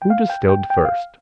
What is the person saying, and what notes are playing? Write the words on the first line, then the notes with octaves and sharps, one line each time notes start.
Who distilled first?
G5
F5
G5
G5
G5
F5